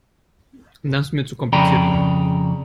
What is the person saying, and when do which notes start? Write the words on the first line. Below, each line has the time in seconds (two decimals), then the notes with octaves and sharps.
Das ist mir zu kompliziert.
1.53 F2 C#3 D5 G5 A#5 B5